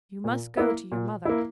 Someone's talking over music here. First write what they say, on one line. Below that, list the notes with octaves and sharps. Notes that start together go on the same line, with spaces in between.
"You must go to your mother."
A#2
A#3 E4
A#2
A#3 E4